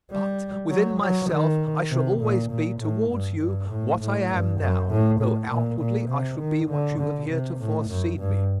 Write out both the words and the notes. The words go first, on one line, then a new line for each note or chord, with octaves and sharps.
But, within myself, I shall always be, towards you, what I am now, though outwardly I shall be what you have heretofore seen me.
G3
F#3
F#3
D#3
C3
A#2
A#2
A2
G2
G2
A2
A2
G2
F#2
A2
A2
A#2
A#2
C3
D#3
D3
D3
C3
A2
F#2
G2